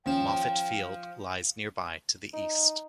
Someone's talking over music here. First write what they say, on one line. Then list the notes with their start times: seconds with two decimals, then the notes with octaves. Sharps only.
Moffett Field lies nearby to the east.
0.06 D#2 F3 C#4 G5 E7
2.33 D#4